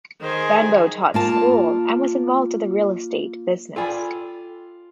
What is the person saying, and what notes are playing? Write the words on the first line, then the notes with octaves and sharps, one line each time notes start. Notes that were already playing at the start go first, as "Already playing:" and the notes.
Benbow taught school and was involved with the real estate business.
D#3 G#4 C5 G#5
A#3 F4 A5
F4 A4 D5 G5 G#5 B5